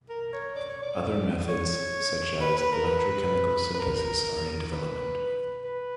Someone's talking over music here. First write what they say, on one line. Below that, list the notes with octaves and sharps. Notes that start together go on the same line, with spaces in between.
Other methods such as electrochemical synthesis are in development.
A#4
C#5
D5
C#5
D5
C#5
B4
B4
A#4
B4
B4
A#4
B4
B4